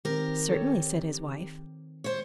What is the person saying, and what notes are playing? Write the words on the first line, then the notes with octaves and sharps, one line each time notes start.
"Certainly," said his wife.
D#3 C4 G4 A#4
A4 C#5
C5 C#5